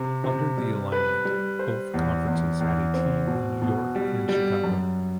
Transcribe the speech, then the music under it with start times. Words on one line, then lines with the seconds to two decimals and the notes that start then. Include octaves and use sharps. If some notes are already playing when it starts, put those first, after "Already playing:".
Under the alignment, both conferences had a team in New York and Chicago.
Already playing: C3
0.24 C3
0.58 G3
0.92 B4
1.25 G3
1.59 C5
1.94 E2
2.27 E2
2.61 E2
2.94 C4
3.27 B2
3.62 B2
3.96 G3
4.29 G3
4.64 F#2